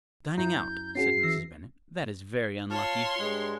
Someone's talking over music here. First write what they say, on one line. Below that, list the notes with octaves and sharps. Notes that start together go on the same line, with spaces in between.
"Dining out," said Mrs. Bennet, "that is very unlucky."
F#2 E4 A#5 G6
C#4 F#4 G#4 C7
E3 E6 A#6
F4 C#5 A5 C6 F6
G2 G#3